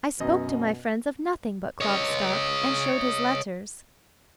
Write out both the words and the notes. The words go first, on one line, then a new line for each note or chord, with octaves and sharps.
I spoke to my friends of nothing but Klopstock, and showed his letters.
F#2 B2 D#5
C#5 D#5